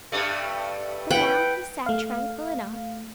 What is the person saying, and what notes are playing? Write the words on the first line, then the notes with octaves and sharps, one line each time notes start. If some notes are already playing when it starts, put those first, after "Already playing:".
But now he sat tranquil enough.
G2 G3 A3
E4 B4 F#5 G5
A3 F5